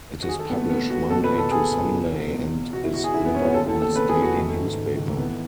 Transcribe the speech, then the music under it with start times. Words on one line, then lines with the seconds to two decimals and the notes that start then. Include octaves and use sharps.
It is published Monday to Sunday, and is Liverpool's daily newspaper.
0.22 F#4
0.29 D#3 G#4
0.39 A4
0.49 D#3 B3
0.59 A3
0.70 D#2 B3
0.90 D#2 F#4
1.10 B2 A4
1.24 B4
1.31 B2
1.38 A4
1.51 B2 G#4
1.71 C#2
1.92 E2
2.12 B2
2.33 E2
2.53 B2
2.73 B2 F#4
2.84 E4
2.93 E2 F#4
3.04 G#4
3.14 B2 E4
3.25 B3
3.34 E2 C#4
3.45 B3
3.54 D#2 A4
3.68 A4
3.75 D#2
3.82 A4
3.95 C#3 B4
4.09 G#4
4.16 C#3
4.22 F#4
4.36 D#3 A3
4.56 G#2
4.77 D#3
4.97 D#3
5.09 A3
5.17 E3 B3